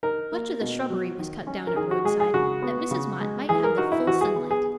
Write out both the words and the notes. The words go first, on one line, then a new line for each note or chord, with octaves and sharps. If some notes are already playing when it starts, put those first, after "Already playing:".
Much of the shrubbery was cut down at Roadside, that Mrs. Mott might have the full sunlight.
D#4 A#4
A#3
B2
F#3
D#3
C#4
A#4
D#3 G#4
F#4
G#3 G#4
G#4
C#3 F#4
B3
C#3
G#3
E3 G#4
A#4
D#4 F#4
E4
E3 F#4
G#4
B3
G#4